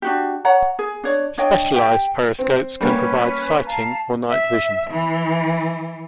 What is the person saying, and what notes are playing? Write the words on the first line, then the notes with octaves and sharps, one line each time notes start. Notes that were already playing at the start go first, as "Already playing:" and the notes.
Specialised periscopes can provide sighting or night vision.
D4 F#4 G4
C#5 F#5 A#5
G#4
D4 C#5 D5
D4 C#5 D#5 G5
G4 G5
C4
G3 A#3 B3 C#4 B4
F5 A5 A#5
E5
E3